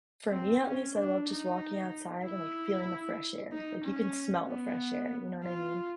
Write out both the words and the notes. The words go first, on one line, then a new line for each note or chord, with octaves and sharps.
for me at least, I love just walking outside and, like, feeling the fresh air. Like, you can smell the fresh air, you know what I mean?
C4
C#4
D4
D#4
E4
D#4
C#4
B3
F4